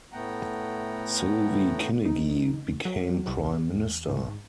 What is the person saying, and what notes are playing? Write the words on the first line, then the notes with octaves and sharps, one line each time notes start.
Sylvie Kinigi became Prime Minister.
A2 A3 B3 F#5 G5 A#5
D#4
F#3
C2
E2
G#2